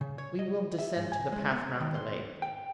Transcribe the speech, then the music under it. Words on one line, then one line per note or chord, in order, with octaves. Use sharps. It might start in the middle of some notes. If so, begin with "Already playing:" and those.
"We will descend to the path round the lake."
C#3
C#5
D#5
E5
G#2
G#5
G#3
B3
D#3
C6
G5